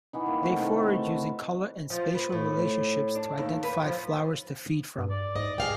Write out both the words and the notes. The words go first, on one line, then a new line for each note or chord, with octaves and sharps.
They forage using colour and spatial relationships to identify flowers to feed from.
E3 B3 D#4
D#3 A#3
C3 A3 F#4
D#3 E3 A3 A4
A3
B4
F3
B4
A2
D4
D#2
B4
F3
G2
D5
G#2 D#5
G#4 F5 G5